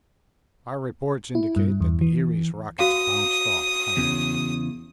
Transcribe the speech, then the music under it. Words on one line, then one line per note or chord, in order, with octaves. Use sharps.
Our reports indicate that the Eries' rockets bounced off harmlessly.
E4
G2
E2
E3
F#4 F5 D#6
E2 C#3